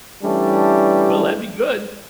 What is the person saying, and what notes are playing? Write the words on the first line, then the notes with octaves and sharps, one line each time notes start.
Well, that'd be good.
E3 G3 A3 C#4 D4